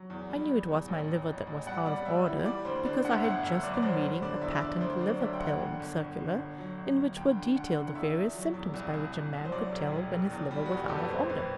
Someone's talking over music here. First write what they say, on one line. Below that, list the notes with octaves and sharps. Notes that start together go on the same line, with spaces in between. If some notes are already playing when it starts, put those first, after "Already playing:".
I knew it was my liver that was out of order, because I had just been reading a patent liver-pill circular, in which were detailed the various symptoms by which a man could tell when his liver was out of order.
Already playing: F#3
E2
G3
E2
E2
A1
A1
A1
A1
G3 F#5
G3 D5
G3 E5
E3
G3 D5
D2 C5
D3 D5
D2 F#5
E5
G1 F#5
G1 E5
F#2 D5
D5
F#2 C5
G3 C5
D3 D5
E2 E5
E5
D3 D5
D2 C5
F#3 D5
D5
D3 E5
G5
E1 F#5
D3
G1
G1
D3
G1
F#3
G1
G1
D2 G5
D3
D3 F#5
D3
F#5
E2 E5
E2
F#3
E2
C2
C2
C2
C2
C5
F#3 D5
E1
E1
E1
E2
G3
E2 F#4
G4
F#1 A4
B4
E1 C5
E1 B4